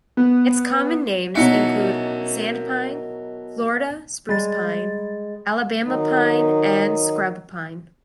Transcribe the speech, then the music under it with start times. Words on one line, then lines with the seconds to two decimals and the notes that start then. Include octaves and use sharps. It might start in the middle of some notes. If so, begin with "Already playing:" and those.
Its common names include sand pine, Florida spruce pine, Alabama pine, and scrub pine.
0.17 B3
1.35 B2 F#3 D#4 E4 F#4 A#4 E5 C#7
4.29 G3 G#3 A6
5.85 D#3 F#3 D#4